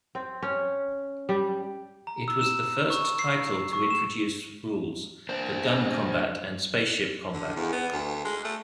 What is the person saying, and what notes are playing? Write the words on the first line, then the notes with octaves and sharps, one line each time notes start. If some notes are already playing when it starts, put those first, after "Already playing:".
It was the first title to introduce rules for gun-combat and spaceship combat.
C4
C#4
G3
A#5
E6
E7
C#6
C7
C#6
E7
D4 C5
D3
E2
B3
D2
G#3
A3